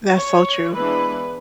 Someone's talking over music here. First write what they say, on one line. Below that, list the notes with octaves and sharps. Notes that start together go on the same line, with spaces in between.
That's so true.
C#5
E3 G#3 B3 D4 B4